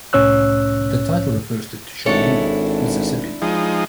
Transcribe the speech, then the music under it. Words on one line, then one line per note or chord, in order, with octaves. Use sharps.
The title refers to Tishomingo, Mississippi.
C2 A2 C#4 C#5 E6 F#6
G#1 D4 E4 A4 C#5
F3 G#3 D#4